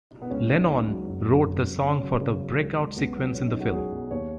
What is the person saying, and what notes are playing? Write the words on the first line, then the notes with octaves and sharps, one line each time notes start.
Lennon wrote the song for the "break-out" sequence in the film.
B3
C#2 C#4
C#2 D#4
C#2 D#4
F#3
F#1
F#2
F#1
F#1
C#3 C#4
F#3
C#3
F#3
C#2
C#2
C#2 B3
F#3 B3
B1 C#4
D#4
F#3
F#4
F#3 G#4
B1
D#2 C#5